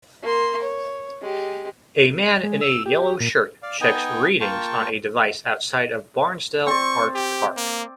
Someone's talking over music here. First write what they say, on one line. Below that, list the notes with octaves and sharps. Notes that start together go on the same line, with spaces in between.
A man in a yellow shirt checks readings on a device outside of Barnsdall Art Park.
A#3 C6
C#5
G#3 G4
G#3
E6
G4
A#2
D5 F5
B3 D#4 D#5 G5 G#5
A#3 F4 G5 A5 C#6
C4 D5 C#6
G4
A#3